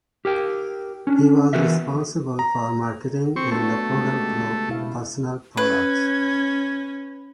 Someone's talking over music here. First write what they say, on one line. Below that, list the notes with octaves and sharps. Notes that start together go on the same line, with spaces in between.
He was responsible for marketing and the product group 'personal products'.
G4 A#4 G5
C#4 D4
E3 B3 F#4 A#4 E5
A#5
C4 C#6
A3 B3 D4 F#4
C#3 G#3 G4
B2 E4 F5
C#4 B4 G#6